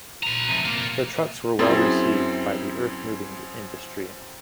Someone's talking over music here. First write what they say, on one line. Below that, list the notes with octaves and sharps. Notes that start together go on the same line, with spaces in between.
The trucks were well received by the earth moving industry.
B4 A#5
C3 F3
A#3 F4
F#2 C4 E4 G#4 A6